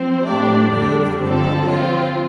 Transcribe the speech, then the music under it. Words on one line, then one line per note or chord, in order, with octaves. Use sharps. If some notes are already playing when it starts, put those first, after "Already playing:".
"Long live the Republic!"
Already playing: F3 C4 C5
A2 A3 D4 G4 D5
F2 D3 G3 D4
G2 D3 F3 C4 A4
F3 C4 F4